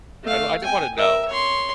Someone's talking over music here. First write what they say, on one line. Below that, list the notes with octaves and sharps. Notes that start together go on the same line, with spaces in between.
I don't I don't wanna know.
A3 F5
G5 G#5
A#4 E5
C#5 C6